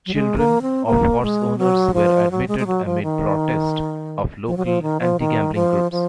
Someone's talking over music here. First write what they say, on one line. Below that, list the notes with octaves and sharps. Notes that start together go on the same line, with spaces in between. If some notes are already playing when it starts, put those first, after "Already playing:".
Children of horse owners were admitted amid protest of local anti-gambling groups.
F#3
G#3
A#3
C4
A#3
G#3
F#3
F3
F#3
G#3
G#3
F#3
F3
D#3
F3
F#3
F3
D#3
F3
D#3
F3
F3